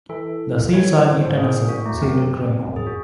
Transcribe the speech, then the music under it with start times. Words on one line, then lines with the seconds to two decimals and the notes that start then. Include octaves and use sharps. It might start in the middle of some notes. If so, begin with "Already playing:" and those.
The seeds are eaten as a cereal grain.
0.09 E3 A4
0.73 E3 C#5
1.06 C5
1.21 C5
1.26 G#2
1.37 A2 G#4
1.69 F#4
1.86 A3
1.93 E2
2.01 F#2 C4
2.59 G#2
2.65 F#2
2.76 G#4
2.87 F#4